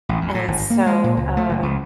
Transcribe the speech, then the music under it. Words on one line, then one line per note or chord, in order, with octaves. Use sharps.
And so, um,
A1
F2
A2
G#1
A#3
G#3
A#2
C#2
A3
F#1
C#2